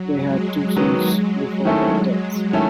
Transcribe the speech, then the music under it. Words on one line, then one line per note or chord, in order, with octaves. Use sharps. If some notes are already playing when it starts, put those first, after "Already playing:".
They had two sons before her death.
Already playing: F#3
G#3
F#3
D#3 F#3 G#3 B3
D#3 A3 C#4 E4 A4
D#3 A3 C#4 E4 A4